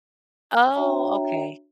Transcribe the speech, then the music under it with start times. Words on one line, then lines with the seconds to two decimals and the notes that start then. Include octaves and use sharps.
Oh, okay.
0.75 D4 F#4 C#5 E5 G5 A#5